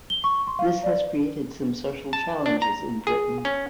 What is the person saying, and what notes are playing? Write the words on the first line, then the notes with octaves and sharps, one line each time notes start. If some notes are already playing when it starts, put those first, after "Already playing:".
This has created some social challenges in Britain.
G7
C#6
C6
F5
D5
A5
D4
A#5
G#4
C#4